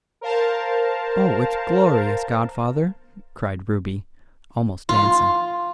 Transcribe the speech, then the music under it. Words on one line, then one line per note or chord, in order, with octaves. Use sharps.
"Oh, it's glorious, godfather," cried Ruby, almost dancing.
A#4 C5 F5 A5
F4